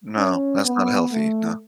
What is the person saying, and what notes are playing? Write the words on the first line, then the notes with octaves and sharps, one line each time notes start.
No, that's not healthy, no.
C#4
B3
A3